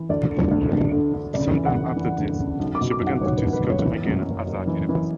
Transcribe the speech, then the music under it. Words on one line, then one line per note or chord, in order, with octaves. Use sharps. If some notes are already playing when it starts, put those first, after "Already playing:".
Some time after this she began to teach sculpture again at Azad University.
Already playing: E3
D2 D5
D3
D2
D2
D3
D3
C#3 D5
E3
F#5
E3
E3
D2
C#3
B1
D6
B2
D6
B1
F#5
B1 C#5
B4
B1
B4
B1 C#5
E3
F#2
F#1
F#1
E3
E3